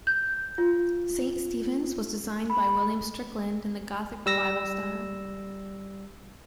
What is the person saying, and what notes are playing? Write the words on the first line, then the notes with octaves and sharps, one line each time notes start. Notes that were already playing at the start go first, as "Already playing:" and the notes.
Saint Stephen's was designed by William Strickland in the Gothic revival style.
G6
F4
B5
G3 E6 A#6